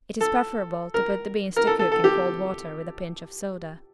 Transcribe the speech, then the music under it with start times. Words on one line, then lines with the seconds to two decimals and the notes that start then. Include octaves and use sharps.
It is preferable to put the beans to cook in cold water with a pinch of soda.
0.21 A4
0.94 A#4
1.56 A#4
1.67 A4
1.79 A4
1.92 A4
2.04 G4